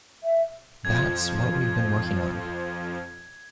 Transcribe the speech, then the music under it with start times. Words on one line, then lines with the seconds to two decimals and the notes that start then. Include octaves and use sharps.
That's what we've been working on.
0.23 E5
0.85 F2 F3 G#6